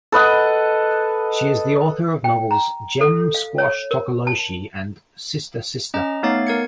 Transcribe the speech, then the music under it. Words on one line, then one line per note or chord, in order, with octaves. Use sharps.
She is the author of the novels "Gem Squash Tokoloshe" and "Sister-Sister".
A4 B4 D#5 F#5
G5
A#5
A4
F5
C#5
A#4
A5
C#4 D#5 A#5
A3 B3 D#4 C#5 F5 A6
B3 A#4 G#6 C#7